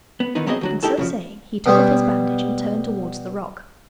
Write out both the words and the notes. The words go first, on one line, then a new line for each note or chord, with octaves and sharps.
And so saying he took off his bandage and turned towards the rock.
B3
D#3 E3 B3 D#4
F#3 B3 C4 E4 G#4 D#5
D2 F#3 F#4
D#4 E4 G4 A4 A5
F#2 C#3 F3
B2 G3 B3 C5 C#5